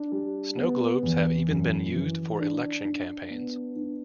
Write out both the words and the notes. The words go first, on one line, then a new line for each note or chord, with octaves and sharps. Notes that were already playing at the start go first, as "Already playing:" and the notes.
Snow globes have even been used for election campaigns.
Already playing: D4
G3
B3
E2
F#2
E3
D4
D4
B3
D4